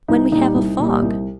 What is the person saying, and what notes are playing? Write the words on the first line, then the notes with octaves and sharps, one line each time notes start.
"When we have a fog."
C2 D#4
A#2 G3 D#4
C2
A#2 G3
C2